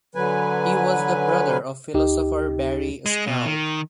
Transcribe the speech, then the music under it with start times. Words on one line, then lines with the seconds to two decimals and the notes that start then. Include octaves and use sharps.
He was the brother of philosopher Barry Stroud.
0.15 D3 F#3 B4 G#5
1.94 D2 D#4 G4 D#5
3.06 G#3
3.27 B2
3.46 D#3